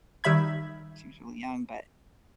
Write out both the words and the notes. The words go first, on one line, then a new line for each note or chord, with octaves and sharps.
she was really young, but,
D#3 G3 E5 B5 G#6